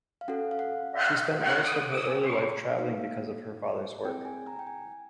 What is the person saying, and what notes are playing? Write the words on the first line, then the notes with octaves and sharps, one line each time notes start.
She spent most of her early life travelling because of her father's work.
F5
C#4 F#4 A4 F#5
F5
F#5
C#4 F#4 A4
G#5
G5
A#3 D#4 F#4 F5
C4 E4 G#4 G5
G#5
A#5
G5
G#5